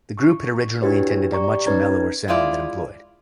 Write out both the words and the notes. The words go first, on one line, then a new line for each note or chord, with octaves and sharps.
The group had originally intended a much mellower sound than employed.
C#6
D4 E4 F#4 G4 B4 C#5
G4 D5 A#5 C#6
D5
C#4 D#4 B4 C#5 A#5 G#6
G#3 E4 F4 D5